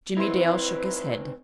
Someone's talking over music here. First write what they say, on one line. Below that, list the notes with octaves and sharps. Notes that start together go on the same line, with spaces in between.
Jimmie Dale shook his head.
C4 D#4 E4 B4 C6